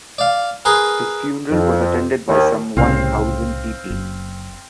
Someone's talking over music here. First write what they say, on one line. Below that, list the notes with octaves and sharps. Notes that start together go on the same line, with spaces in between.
His funeral was attended by some one thousand people.
D5 F5
G#4 A#4 B4 C6
F2
D#2
C2 A2 C#3 C4 F5
F#1